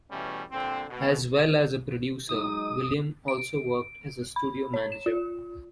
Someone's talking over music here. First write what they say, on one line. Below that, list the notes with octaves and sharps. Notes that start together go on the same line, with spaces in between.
As well as a producer, William also worked as a studio manager.
E2 B2 E3 G3 A3 C#4
C2 A#2 D3 C4
B2
F#3 G#3 D#4 D#6
D7
B5
C#5
E7
F4